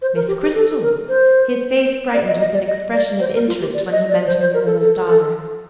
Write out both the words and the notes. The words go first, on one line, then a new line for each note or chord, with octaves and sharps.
"Miss Cristel." His face brightened with an expression of interest when he mentioned the miller's daughter.
C5
A#4
G4
G4
A4
A#4
C5
D5
D#5
D#5
D5
D#5
D5
C5
A#4
F4
G4
D5
D#5
D5
C5
C5
A#4
A4
A4
A4